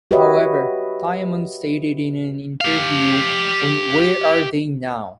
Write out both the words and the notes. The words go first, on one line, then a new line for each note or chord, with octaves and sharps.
However, Diamond stated in an interview on Where Are They Now?
F#4 G4 B4 C#5 D#5 E5
G4 F5